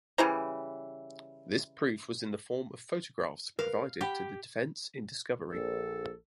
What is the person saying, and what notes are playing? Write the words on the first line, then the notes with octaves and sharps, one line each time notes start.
This proof was in the form of photographs provided to the defense in discovery.
C#3 E3 G3 E4 C5 A#5
A#4 B4 F5
G4 F#5 G5 B5
A#1 A4